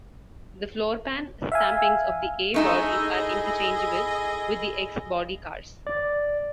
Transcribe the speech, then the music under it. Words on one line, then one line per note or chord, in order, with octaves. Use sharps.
The floorpan stampings of the A-Bodies are interchangeable with the X-Body cars.
E5 F5 G#5
A3 D#4 E4 G#4 A4 D#5
D5